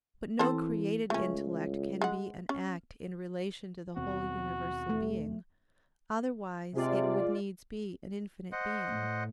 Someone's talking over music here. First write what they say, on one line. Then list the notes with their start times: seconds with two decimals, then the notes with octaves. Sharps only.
But no created intellect can be an act in relation to the whole universal being; otherwise it would needs be an infinite being.
0.39 E3 C4 A4 C5
1.10 C#2 A3 C#4
2.02 G#3 F#5
2.49 C#4
3.97 D#2 B2 C4 F#4
4.89 A3
6.74 C3 G#3 F4 D5
8.52 C5 D#5 F#5
8.91 A2